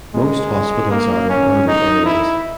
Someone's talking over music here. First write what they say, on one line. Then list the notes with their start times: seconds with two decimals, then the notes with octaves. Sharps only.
Most hospitals are in urban areas.
0.14 G#3
0.91 A#3
1.29 C#4
1.67 D#4
2.05 E4